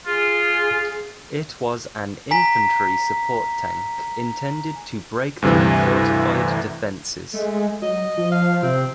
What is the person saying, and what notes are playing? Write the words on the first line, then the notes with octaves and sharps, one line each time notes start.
It was an infantry support tank intended to break through fortified defences.
F4 G#4
G#5 A#5 B6
D2 G2 C3 E3
G#3 A3
F#3 D#5
F3
F5
C3 C4